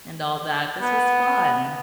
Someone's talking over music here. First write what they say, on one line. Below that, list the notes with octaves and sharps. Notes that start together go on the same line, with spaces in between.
and all that, this was fun.
B3